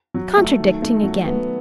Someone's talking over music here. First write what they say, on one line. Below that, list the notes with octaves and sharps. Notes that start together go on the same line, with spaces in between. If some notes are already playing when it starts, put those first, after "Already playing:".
Contradicting again!
F#3
A3
D#3
A3
F#3
B3